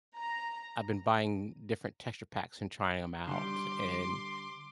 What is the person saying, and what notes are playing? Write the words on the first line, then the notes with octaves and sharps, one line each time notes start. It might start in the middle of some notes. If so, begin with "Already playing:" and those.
I've been buying different texture packs and trying 'em out and
A#5
D3 G3 C6 D6